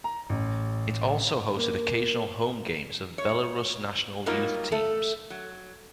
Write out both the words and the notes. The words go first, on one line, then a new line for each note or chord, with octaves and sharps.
It also hosted occasional home games of Belarus national youth teams.
A#5
A1
A#3
C#5
F#3 G3 A#3 D#4 F4 A#4
A3 A4
F#3